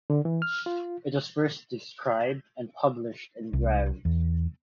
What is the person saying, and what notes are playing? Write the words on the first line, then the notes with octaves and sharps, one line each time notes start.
It was first described and published in Rev.
D3
E3
F6
F4
C2
E2